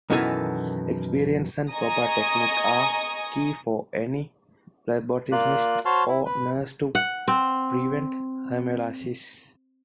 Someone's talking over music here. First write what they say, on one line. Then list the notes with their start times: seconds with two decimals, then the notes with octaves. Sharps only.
Experience and proper technique are key for any phlebotomist or nurse to prevent hemolysis.
0.10 F#2 B2 D#3 E3 A4 G#5
1.74 D#5 G#5 A#5 C#6 D#6
5.32 A#3 F4 D5 F#6
5.85 F#4 C5 C#5 A5 C6 F6
6.08 E4
6.26 B4
6.95 F#5
7.28 C4